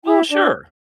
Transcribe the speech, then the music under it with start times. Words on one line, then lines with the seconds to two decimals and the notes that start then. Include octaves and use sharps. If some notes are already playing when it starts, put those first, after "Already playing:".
Well, sure.
0.05 E4
0.31 D4